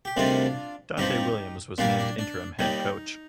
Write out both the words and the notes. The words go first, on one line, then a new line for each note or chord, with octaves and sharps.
Donte Williams was named interim head coach.
G4
D2 C3 D#3 G3 C4 D4 F4
G2 F3 C4 D#4 G4
A#2 G3 A#3 D4 F4
D4
D4
D#2 D#3 G3 D#4